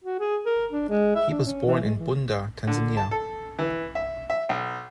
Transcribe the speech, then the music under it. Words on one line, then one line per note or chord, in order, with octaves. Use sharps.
He was born in Bunda, Tanzania.
F#4
G#4
A#4
D4
G#3
E5
D4
C#4
E3
G#3
E3
D3
A5
A4
E3
E5
E5
B1